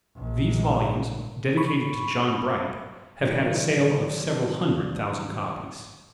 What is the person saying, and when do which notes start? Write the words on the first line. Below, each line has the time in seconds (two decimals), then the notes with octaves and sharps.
These volumes, dedicated to John Bright, have had a sale of several hundred thousand copies.
0.16 A#1
1.57 B5 C#6
3.22 A2 D#3 F#3 G4 D5